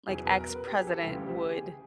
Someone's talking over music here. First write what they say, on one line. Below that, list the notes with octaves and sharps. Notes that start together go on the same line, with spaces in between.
like, ex-president would
E2 B2 F#3 G#4
B4
A#4
B4
G4
G#4
A4
D2 C#3 E3 G3 G4
G4
G#4